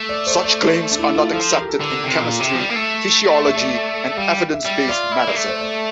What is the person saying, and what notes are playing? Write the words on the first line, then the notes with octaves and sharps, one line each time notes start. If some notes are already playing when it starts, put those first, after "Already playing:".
Such claims are not accepted in chemistry, physiology, and evidence-based medicine.
Already playing: A3
D5
C5
D5
C5
D4
E4
F4
F3 A4
A#4
G4
A4
D3
A4
C3
A#2
C3
F3
G3
A#3
A3
E5
D5
E5
G3 F5
E5
G3
F4 D5
E4
A#3
A3
C5
D5